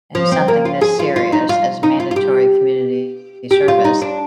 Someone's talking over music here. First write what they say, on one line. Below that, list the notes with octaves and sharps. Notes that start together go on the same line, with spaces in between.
in something this serious as mandatory community service,
F3
C4
A#3
F4
G#4
F4
F4
D#4
F4
D#4
F4
F4
G4
G4
F4
D#4
D4